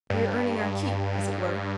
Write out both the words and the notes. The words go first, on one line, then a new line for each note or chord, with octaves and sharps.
"We are earning our keep as it were."
G2